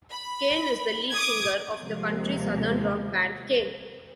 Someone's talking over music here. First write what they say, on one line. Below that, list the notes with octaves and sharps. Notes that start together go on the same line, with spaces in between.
Kane is the lead singer of the country-southern rock band Kane.
B5
D6 D#6 G#6
D#2 C3 F3 G#3 A#3